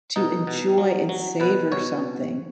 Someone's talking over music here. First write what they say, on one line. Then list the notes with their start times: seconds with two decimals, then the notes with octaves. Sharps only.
to enjoy and savor something,
0.16 B2 D#4
0.47 B2
0.78 F#3
1.09 F#3
1.40 B2 B4
1.72 B2 C#5